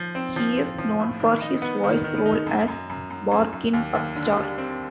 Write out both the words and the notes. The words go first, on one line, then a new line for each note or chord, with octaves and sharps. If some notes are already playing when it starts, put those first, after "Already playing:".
He is known for his voice role as Bark in "Pup Star".
Already playing: F3
C4
F3
C4
F3
A2
D#3
D#4
B3
D#3
D#3
D#4
F#2
F#2
F#2
F#2
F#2
F#2
D#2
D#2
D3
G3
C4